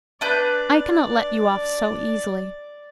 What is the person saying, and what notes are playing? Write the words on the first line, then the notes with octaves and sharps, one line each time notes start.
I cannot let you off so easily.
D4 B4 D5 G6